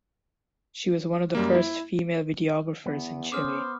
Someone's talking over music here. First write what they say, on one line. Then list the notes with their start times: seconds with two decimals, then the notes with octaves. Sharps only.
She was one of the first female videographers in Chile.
1.35 F#2 G3 A#3
1.55 E4
2.86 E2 B3
3.32 C#4 C5 D6 D#6 F6